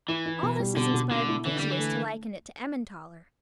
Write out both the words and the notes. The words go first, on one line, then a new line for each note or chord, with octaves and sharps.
All this has inspired enthusiasts to liken it to Emmentaler.
E3 E4
E4
B2
G3
B2 D3
B2
B2 D3
E4
D3 E3
G3
D3
E3
A3